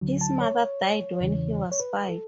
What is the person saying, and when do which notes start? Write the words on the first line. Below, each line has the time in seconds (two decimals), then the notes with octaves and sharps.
His mother died when he was five.
0.01 D2 D3 F#3
0.21 A5
0.41 C#5
1.20 E2 C#3 E3
1.72 C#5
1.80 B4
2.09 A4